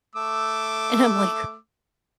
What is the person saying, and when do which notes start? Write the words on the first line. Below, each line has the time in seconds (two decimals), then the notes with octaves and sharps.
And I'm like,
0.15 A3 D6 E6